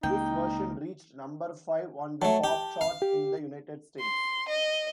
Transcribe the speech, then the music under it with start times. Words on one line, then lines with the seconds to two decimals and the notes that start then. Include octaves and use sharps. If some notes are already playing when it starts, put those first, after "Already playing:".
This version reached number five on the pop chart in the United States.
0.03 C#2 A#3 D#4 G5
2.22 F#3 A3 A5
2.44 G4
2.81 F5
3.02 G4
3.99 C6
4.49 D#5